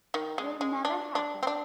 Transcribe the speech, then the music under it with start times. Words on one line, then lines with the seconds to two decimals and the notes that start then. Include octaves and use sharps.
Will never happen.
0.14 D#3
0.38 G#3
0.61 G#3
0.85 D4
1.15 D4
1.43 C4
1.47 D4